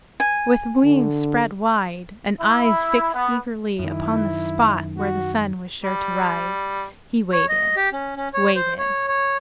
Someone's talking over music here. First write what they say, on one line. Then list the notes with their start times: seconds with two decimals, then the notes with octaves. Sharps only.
With wings spread wide, and eyes fixed eagerly upon the spot where the Sun was sure to rise, he waited, waited.
0.20 G#5
0.84 D3
2.41 E4
3.14 B3
3.79 F#2 D#3 E4
4.98 F#4
5.84 G3
7.33 C#5
7.49 D#5
7.77 G4
7.93 C#4
8.16 C#4
8.34 C#5
8.55 C5
8.78 C#5
9.08 C#5